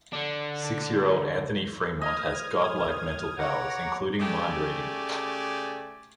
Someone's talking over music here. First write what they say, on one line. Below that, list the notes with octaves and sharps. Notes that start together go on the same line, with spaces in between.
Six-year-old Anthony Fremont has godlike mental powers, including mind-reading.
D3 D4
D#5 D#6 F6 G#6
C#5 F#5 A#5 C#6 D6
C#3 A3 G4 D5 G#5